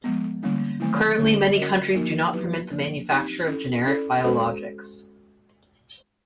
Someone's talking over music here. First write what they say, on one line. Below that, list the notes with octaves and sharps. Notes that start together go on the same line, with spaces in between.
Currently many countries do not permit the manufacture of generic biologics.
F3 G#3 B3
D3 G3 A#3 C#4 E4
D#3 F#3 A3 C4 E4
D3 G3 A#3 C#4 E4
C#4 F#4 A#4 D#5
F3 A#3 D#4 F#4 A#4
F#3 B3 E4 G4 B4
F3 A#3 D4
C4 D#4 G4
C#4 E4 A4
C#4 E4 A4 D5
G#3 C#4 F#4 A4 C5